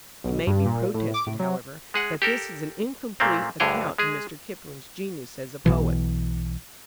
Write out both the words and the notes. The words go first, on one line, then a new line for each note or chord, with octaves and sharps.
It may be protested, however, that this is an incomplete account of Mr. Kipling's genius as a poet.
B1
G2
A#2
A2
D6
A2
F#3
G#3 G#4 F#5
G4 A4 A#4
A#2 A3 A#3 C4
D2 G2 D3 G#4 C#5 G5
G#3 G#4
B1 B2 E3